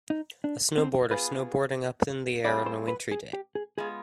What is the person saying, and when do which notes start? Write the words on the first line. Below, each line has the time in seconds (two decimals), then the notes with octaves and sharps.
A snowboarder snowboarding up in the air on a wintry day.
0.10 D#4
0.44 D4
0.78 C4
1.11 B2 B3 F4 G#4 B4
2.45 G3 C4 F4 G#4 D5
2.66 C5
2.88 B4
3.12 G#4
3.33 G4
3.55 G#4
3.78 G#3 B3 F4 G#4